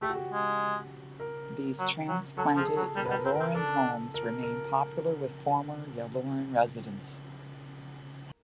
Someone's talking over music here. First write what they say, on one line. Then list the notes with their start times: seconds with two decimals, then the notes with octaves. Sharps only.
These transplanted Yallourn homes remain popular with former Yallourn residents.
0.02 A3 G4
0.09 F#4
0.16 G4
0.32 G#3
1.20 A#4
1.79 F#3
2.08 F#3
2.37 F#3 A4
2.56 F3
2.59 G#4
2.67 A4
2.77 F#3
2.96 G3 A#4
3.05 B4
3.10 G3
3.16 A#4
3.25 C4 B4
3.35 A#4
3.40 C4
3.54 D4 A4
4.14 A#4
4.43 A#4